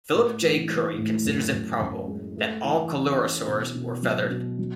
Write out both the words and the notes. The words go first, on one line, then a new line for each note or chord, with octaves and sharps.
Philip J. Currie considers it probable that all coelurosaurs were feathered.
A2
E3
G#3
A2
F#2
F#2
F#2
G#3
A3
E3
E3
C#4
B2
B2
F#3
B2
F#3